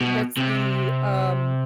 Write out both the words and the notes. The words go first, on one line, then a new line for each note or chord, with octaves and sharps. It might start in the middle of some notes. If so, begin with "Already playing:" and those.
that's the, um,
B2
C3